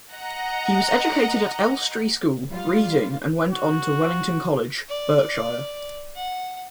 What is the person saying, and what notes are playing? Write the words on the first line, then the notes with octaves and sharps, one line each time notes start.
He was educated at Elstree School, Reading and went on to Wellington College, Berkshire.
D#5 F#5 A#5
G3 F4 F5
F#4
D5
F#5